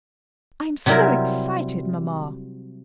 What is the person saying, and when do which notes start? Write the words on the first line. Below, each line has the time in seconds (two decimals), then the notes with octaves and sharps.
"I'm so excited, mamma."
0.86 C3 F#3 G3 E4 A#4